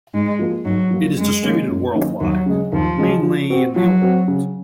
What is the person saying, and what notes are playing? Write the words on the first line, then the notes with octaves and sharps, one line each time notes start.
It is distributed worldwide, mainly in the Old World.
G#2 G#3
F3 A#3 F4
G#2 F#3
F3 A#3 F4
F#2 G#3
D#3 F#3 A#3 C#4
F#2
D#3 F#3 A#3 C#4
D#2 F#3
C#3 G#3
D#2 F3
C#3 G#3
F3
C4 F#4
F3 F#3
C4 F#4
C#3